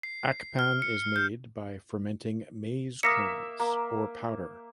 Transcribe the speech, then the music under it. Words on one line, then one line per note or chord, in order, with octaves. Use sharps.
Akpan is made by fermenting maize kernels or powder.
C7
F6
C#7
G6
A#3 E5 D#6 A#6 C#7
A#3 A#5